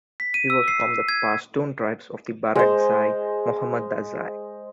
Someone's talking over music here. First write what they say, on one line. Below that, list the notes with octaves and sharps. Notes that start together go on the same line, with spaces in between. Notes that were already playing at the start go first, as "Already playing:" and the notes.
He was from the Pashtun tribe of Barakzai Mohammedzai.
B6
D#7
E6
C7
G#6
G#3 C5